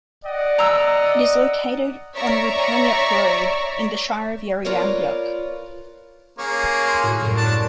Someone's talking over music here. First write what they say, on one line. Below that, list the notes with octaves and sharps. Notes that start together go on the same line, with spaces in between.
It is located on Rupanyup Road in the Shire of Yarriambiack.
D5 D#5 F#5
A#5 E6
C#5 D5 E5 A#5 C#6
F4 A#4 B4 C#5 D5
A#3 C#4 G#4 C#6
C6
A2 F#4 A#4
C2 F#2
D4 A5